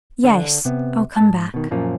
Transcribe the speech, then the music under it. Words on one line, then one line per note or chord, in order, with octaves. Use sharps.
"Yes--I'll come back."
D3 D4
C3 B3
G#2 A5
B2 D#3
F#2 A#2 F3 A#3 C#4